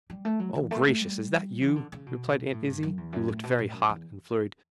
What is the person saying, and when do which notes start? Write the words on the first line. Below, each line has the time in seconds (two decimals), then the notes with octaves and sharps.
"Oh, gracious! is that you?" replied Aunt Izzie, who looked very hot and flurried.
0.10 G3
0.25 A3
0.39 F#3
0.55 E3
0.71 A3
0.86 A3
1.01 G3
1.61 E3
1.76 D3
1.92 C#3
2.06 B2
2.53 A2
2.68 G2
2.83 F#2
2.97 E2
3.13 F#2
3.28 A2
3.43 B2
3.58 A2
3.73 F#2
3.89 E2